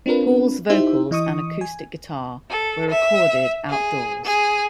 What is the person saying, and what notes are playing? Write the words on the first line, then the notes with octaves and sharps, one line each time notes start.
Paul's vocals and acoustic guitar were recorded outdoors.
C4 D4 F4 A#4 B4
D#4 E4 G4 C5 E5
E3 D#5 C#6 D#6
G#5
A4
E5
G#4
G#4